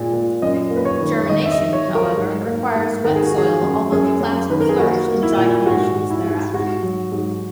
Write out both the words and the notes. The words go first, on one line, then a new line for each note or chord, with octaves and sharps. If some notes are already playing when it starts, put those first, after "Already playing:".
Germination, however, requires wet soil although the plants will flourish in dry conditions thereafter.
Already playing: A#2 G#3
A#2
F#2 D#5
A#3
B4
C#5
D#3
D#3 D#5
E5
D#5
D#3
C#5
F#3
A#4
G#2
A#3
G#2
D#3 A#4
G#4
F#4
D#3 G#4
F#2
F#2 G#4
F#2
D#3 B4
A#4
G#4
A#3 F#4
A#3
E4
A#2
G#2 F#4
G#2
E4
G#2
G#2 F#4
F#3
G#2